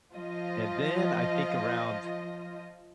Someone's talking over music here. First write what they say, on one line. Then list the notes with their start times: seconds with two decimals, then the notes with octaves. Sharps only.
and then I think around
0.14 F3 F4 D#5